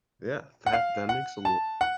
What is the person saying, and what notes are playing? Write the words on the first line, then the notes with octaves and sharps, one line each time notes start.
Yeah, that that makes a lo
F#5
F5
F#5
A5
F#5